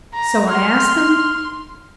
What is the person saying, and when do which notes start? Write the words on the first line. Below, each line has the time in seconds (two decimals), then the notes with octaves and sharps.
So I asked them.
0.14 A#5
0.49 C6 F6